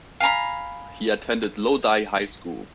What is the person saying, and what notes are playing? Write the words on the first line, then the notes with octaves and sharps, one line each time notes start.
He attended Lodi High School.
F5 G#5 A#5 B5